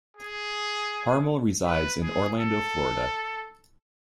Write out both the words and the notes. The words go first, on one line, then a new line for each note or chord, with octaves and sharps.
Harmel resides in Orlando, Florida.
G#4
B4
G#4
A4